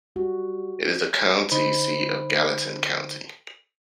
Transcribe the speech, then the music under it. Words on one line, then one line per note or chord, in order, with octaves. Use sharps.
It is the county seat of Gallatin County.
G3 F#4
D3 D#4 C5 B5